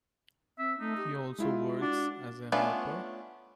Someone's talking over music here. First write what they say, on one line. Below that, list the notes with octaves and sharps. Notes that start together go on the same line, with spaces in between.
He also works as a Harper.
C4 E5
A3 D#4
G4
G#3 E4 F4
D4 F#4
A3 B3 C#4 D4 F4